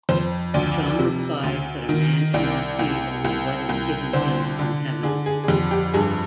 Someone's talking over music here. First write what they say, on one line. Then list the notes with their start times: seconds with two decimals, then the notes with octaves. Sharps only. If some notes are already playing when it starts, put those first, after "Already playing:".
John replies that A man can receive only what is given him from heaven.
0.09 F2 C5
0.54 D2 D5
0.99 C3
1.43 D2
1.89 D#3
2.33 C2 D5
2.79 C2
3.24 C2
3.69 C2
4.13 D3 C5
4.59 D3
5.03 D3 G#4
5.26 G#4
5.44 G#4
5.48 F2 G4
5.71 G4
5.93 G2 G#4